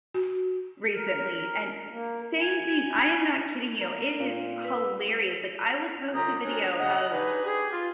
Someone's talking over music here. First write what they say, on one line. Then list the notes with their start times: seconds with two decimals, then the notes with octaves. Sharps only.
recently, and same thing, I am not kidding you, it is hilarious, like I will post a video of
0.14 F#4
0.93 A#4
1.91 A#3
2.40 G#5
3.81 A#4
4.20 A#2 C4
4.65 B4 E6
6.14 C2 D3 F4 G4 D#5 A#5
6.44 C4 D4 F#4 G#4 A#4 C#5
6.80 C#3 D#5 F#5
7.11 D4 D#4 G4 G#4 B4
7.46 G4 G#4
7.71 F4